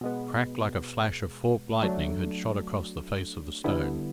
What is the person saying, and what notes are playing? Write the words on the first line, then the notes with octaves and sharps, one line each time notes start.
A crack like a flash of forked lightning had shot across the face of the stone.
B2 G#3 B3
F#3 A3 D4
D3 G3 B3 E4